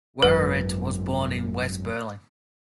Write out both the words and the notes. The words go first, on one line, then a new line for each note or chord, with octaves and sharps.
Wowereit was born in West Berlin.
G#1 F#2 B4